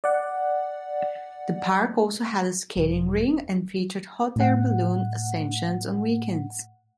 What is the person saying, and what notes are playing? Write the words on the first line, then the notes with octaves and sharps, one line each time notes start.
The park also had a skating rink, and featured hot-air balloon ascensions on weekends.
D5 F#5
E1
A2 F#5